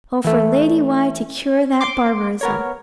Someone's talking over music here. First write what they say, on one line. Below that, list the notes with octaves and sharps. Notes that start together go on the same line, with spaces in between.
Oh for Lady Why to cure that barbarism!
E3 A3
C6 D6
B3 A#4 C#5